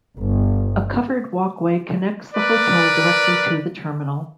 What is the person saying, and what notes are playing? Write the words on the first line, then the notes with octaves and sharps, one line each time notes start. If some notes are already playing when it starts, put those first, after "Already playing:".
A covered walkway connects the hotel directly to the terminal.
G1
A#4 B4 D5